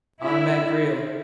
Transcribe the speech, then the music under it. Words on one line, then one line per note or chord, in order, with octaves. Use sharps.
Automatic reel.
E4